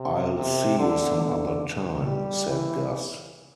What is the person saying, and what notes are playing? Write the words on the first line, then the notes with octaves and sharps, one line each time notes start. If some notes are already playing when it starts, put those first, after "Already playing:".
"I'll see you some other time," said Gus.
Already playing: C3
C3
D3
D3
G3
E3